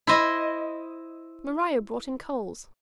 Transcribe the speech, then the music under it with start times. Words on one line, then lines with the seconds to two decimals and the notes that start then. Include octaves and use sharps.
Maria brought in coals.
0.07 E4 C5 D#5